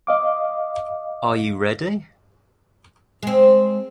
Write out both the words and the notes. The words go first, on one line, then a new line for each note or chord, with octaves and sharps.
Are you ready?
D#5 F5 D6
G#3 C4